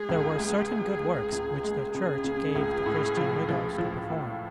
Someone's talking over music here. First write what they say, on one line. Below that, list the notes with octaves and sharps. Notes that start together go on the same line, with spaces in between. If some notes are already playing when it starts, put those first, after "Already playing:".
There were certain good works which the Church gave to Christian widows to perform.
Already playing: G#3 G#4
C#2
G#3
G#3
G#3
C#2
G#3
C#3 G#4
C#3
C#2
A2
F3
F3
F3
A2